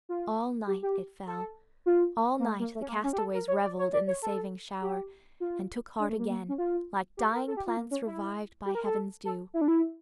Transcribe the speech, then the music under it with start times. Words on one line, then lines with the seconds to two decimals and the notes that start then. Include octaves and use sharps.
All night it fell, all night the castaways revelled in the saving shower, and took heart again, like dying plants revived by heaven's dew.
0.09 F4
0.67 G4
0.83 G4
1.27 A4
1.86 F4
2.39 A#3
2.45 A3
2.60 A#3
2.75 A3
2.82 C#4
2.89 A#3
3.04 C#4
3.13 G4
3.18 A4
3.34 A#4
3.48 C#5
3.63 D5
3.79 C#5
3.93 D5
4.07 C#5
4.22 A4
4.82 G4
5.40 F4
5.99 D4
6.09 A3
6.19 A#3
6.30 A#3
6.49 C#4
6.58 F4
7.17 G4
7.32 A#4
7.48 A4
7.57 G4
7.67 F4
7.77 A#3
7.91 C#4
8.06 E4
8.66 G4
8.75 A#4
8.86 A4
9.25 A4
9.54 E4
9.61 D4
9.68 E4